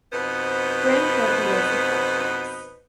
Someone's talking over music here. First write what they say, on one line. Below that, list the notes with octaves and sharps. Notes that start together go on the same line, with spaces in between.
Graham currently lives in Halifax.
F2 B2 B3 D#4 B4 C5